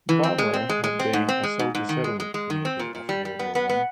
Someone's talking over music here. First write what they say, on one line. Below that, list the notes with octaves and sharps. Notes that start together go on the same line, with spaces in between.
Barmera had been a soldier settlement community after World War One.
E3
C4
G#3
C4
G#3
G#3
C4
G#2
C4
G#3
G#2
G#2
D#3
G#3
G#3
G#3
D#3
C4
A#2
A#2
G3
G3
B3
B3
B3